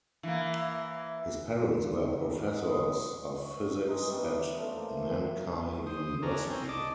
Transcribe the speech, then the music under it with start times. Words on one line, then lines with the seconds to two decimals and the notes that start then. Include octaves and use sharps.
His parents were professors of physics at Nankai University.
0.23 E3 A#3
2.59 D#5
3.35 C#5
3.87 E3 G#3 D#4 C#6
4.10 B2 G3 D5
4.56 C#3 A3 C5
4.77 A#3
5.86 C5 D#6
6.22 C#4 D4 A#5
6.50 C4 C#4
6.69 D5 D#5 A5 D6